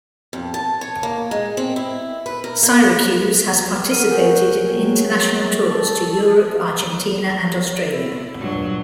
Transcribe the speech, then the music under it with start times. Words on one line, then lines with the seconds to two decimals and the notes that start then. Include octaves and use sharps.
Syracuse has participated in international tours to Europe, Argentina and Australia.
0.33 F2
0.54 A5
0.81 C#5
1.03 A#3
1.31 G#3
1.57 C4
1.76 E4
2.26 B4
2.44 A#4
2.63 A#3
3.91 A#4 F#5 F6 D#7
4.11 F#4 A#4 B4 F#5 G#5 G6
4.66 F#3 G3 G#4
5.20 C#6 A6
5.66 A4
7.90 E4
8.39 G2 A#2 F#3